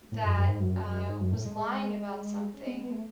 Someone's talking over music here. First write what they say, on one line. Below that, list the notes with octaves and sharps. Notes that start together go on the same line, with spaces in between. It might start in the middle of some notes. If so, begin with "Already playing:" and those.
that, uh, was lying about something,
A2
F#2
F#2
G#2
F#2
F#2
G#2
F#2
A2
G#3
C#4
B3
B3
A3